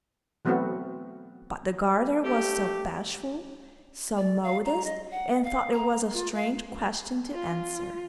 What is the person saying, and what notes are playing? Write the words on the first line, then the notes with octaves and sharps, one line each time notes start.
But the garter was so bashful, so modest, and thought it was a strange question to answer.
E3 F#3 A3 B3 C4 F#4
A3 G4
D5
F5
A#5
D#5
F#5
F5
A#5
F4
F5
F4